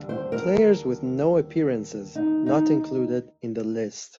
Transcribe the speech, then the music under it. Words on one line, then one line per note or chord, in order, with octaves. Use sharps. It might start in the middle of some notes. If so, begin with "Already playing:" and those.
Players with no appearances not included in the list.
Already playing: D#2 D3 G3
C5
A#4
D#4
D#4